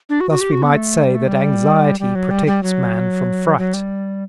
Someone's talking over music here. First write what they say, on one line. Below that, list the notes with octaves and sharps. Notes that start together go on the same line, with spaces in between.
Thus we might say that anxiety protects man from fright.
D4
F#4
F#4
G4
F#4
B3
A3
G3
A3
G3
G3
F#3
G3
G3
F#3
F#3
G3